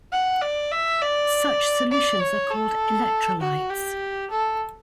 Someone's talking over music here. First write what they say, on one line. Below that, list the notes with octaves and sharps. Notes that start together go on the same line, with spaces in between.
Such solutions are called electrolytes.
F#5
D5
E5
D5
D5
C#5
A4
F#4
G4
A4